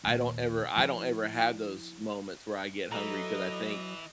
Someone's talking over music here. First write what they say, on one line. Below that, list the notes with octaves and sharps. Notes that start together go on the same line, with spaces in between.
I don't ever I don't ever have those moments where I get hungry, 'cause I think,
D#2 A#2
F3 E4
E3 F#3 A4 D#5 A#5